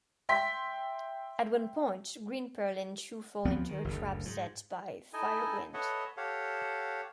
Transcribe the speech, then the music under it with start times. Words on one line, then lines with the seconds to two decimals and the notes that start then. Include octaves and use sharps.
At one point, Green Pearl and Chu fall into a trap set by Fire-Wind.
0.29 E5 G5 C6 B6
3.45 D2 F3 B3 C4
3.69 D#3
3.84 F#1 D2
4.25 G#2
5.13 D#4 E4 A4 D#5 G#5
5.74 A4 B4 C#5 D#5 E5 F#5
6.17 G4 A4 C#5 F5 F#5